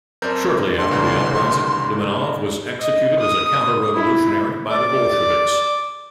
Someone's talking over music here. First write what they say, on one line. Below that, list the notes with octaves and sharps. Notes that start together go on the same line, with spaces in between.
Shortly after the uprising, Lamanov was executed as a counter-revolutionary by the Bolsheviks.
F#2 C4 A#4 D5 A5 G6
G2 A#2 D3 C6
G1 C2 C#3 E3 A3
D#5
D#6
E4
D5 D6